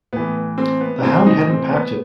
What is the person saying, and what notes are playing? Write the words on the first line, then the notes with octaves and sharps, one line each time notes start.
The hound hadn't packed it.
A2 E3 B3
C4
B3
A2 E3 C4
D#4
C4
B3